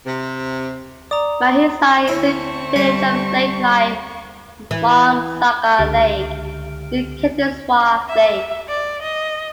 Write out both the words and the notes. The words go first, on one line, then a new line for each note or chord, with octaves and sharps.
Mahisa is a village of lake like Marmsagar Lake, Utkantheswar Lake.
C3
D5 A#5 D#6
D3 A3 C4 C#4 E4 C#6
G3 G#5
E3
C#2 D3 G4 F6 D7
E5
D5
D#5